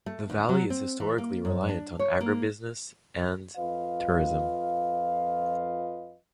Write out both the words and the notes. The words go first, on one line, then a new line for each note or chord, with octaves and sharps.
The Valley is historically reliant on agribusiness and tourism.
A3
D2
F#3
C4
E3
A#3
F#2
D4
C#5
A#3
F2 F4 B4 D#5 F5